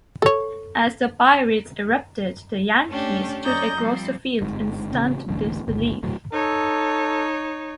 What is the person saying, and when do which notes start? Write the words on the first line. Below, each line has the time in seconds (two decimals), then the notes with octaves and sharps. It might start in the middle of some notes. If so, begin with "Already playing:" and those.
As the Pirates erupted, the Yankees stood across the field in stunned disbelief.
0.22 A4 C#5
2.89 A3 C#4 D4 G4
3.43 F#2 C#4 D5 D#5 A#5 G6
3.76 F3 G3 C4
4.41 G1 G#2
4.92 A1 C#3 C4
5.28 E1 A1 A2 D3
5.68 G1 C#2
6.03 D1 A2 F#3
6.32 D#4 A4 C#5